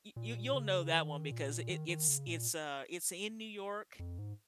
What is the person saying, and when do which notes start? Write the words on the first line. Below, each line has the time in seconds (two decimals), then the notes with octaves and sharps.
you you you'll know that one because it, it's it's, uh, it's in New York
0.16 A#2
0.54 C#3
0.93 D#3
1.31 A#2
1.69 D#3
1.89 D#3
2.08 C#3
2.27 A#2
3.99 F2
4.19 G#2